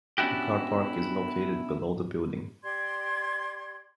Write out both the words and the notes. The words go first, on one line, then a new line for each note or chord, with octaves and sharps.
A car park is located below the building.
B3 C#4 D4 E4 F#4 G4
G4 D5 C6 G#6